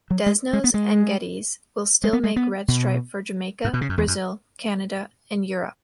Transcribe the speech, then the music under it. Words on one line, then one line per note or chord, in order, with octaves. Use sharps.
Desnoes and Geddes will still make Red Stripe for Jamaica, Brazil, Canada and Europe.
F#3
G#3
G#3
B3
G#3
G#3
B3
G#3
B3
B2
G#2
B2
C#3
F#2
E2
F#2